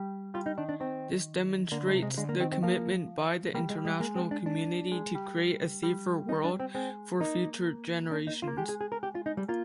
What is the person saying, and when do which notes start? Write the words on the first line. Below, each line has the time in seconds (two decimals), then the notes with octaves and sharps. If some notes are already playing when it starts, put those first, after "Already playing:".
This demonstrates the commitment by the international community to create a safer world for future generations.
Already playing: G3
0.34 G3 F4
0.46 D#4
0.58 D#3 D4
0.69 D4
0.80 D#3 C4
1.72 D3 A#3
1.87 G#3
1.95 C3
2.02 G#3
2.17 D3 G#3
2.29 A#3
2.40 D#3 C4
2.52 C4
2.63 F3 A#3
3.54 G3 A#3
3.70 G#3
3.78 G3
3.85 G#3
4.00 G#3 A#3
4.16 C4
4.31 D4
4.46 D4
4.92 G#3
5.15 G3
5.83 G3
6.29 D#4
6.44 D4
6.60 C4
6.75 G#3 C4
7.20 A#3 D#4
8.11 D4
8.27 D#4
8.42 F4
8.48 A#3
8.57 G#3 G4
8.69 G#4
8.81 G#4
8.92 A#4
9.03 G4
9.15 F4
9.26 D#4
9.37 G3
9.48 A#3 F4